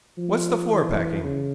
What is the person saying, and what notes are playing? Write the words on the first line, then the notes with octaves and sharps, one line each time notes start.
What's the floor-packing?
F3
E3
C#3